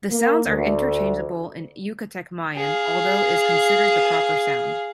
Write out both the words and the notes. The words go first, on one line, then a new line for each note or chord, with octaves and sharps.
The sounds are interchangeable in Yucatec Mayan although is considered the proper sound.
A#3
D2
G#4 F5